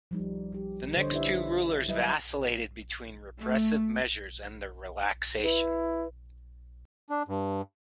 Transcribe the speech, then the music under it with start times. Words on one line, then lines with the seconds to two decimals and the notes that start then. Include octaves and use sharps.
The next two rulers vacillated between repressive measures and their relaxation.
0.11 F3 G3 D#4
0.53 G3 G4
0.97 D3 D4 A4 C5 C#5 D#5
1.11 D#4 E4 G4 B4 D5 E5
1.88 F#3 G3 E4 B4 D#5 E5
3.40 A3
5.44 E4 B4
7.10 D4
7.28 G2